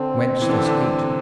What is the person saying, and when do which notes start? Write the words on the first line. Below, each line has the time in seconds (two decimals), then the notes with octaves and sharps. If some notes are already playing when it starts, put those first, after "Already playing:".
Whence this heat?
Already playing: D3 C4
0.42 E3
0.49 D3
0.58 C3
0.66 D3